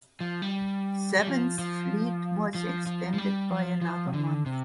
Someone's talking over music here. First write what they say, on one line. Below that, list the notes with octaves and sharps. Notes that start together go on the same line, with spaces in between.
Seventh Fleet was extended by another month.
F3
G3
G3
F3
F3
F3
F3
F3
G3
F3
F3
C3
D3
C3